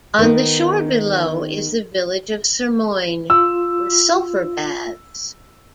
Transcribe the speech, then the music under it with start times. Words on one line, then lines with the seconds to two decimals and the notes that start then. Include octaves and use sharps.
On the shore below is the village of Sirmione, with sulfur baths.
0.18 D#3 B3 D#4
3.30 F4 E6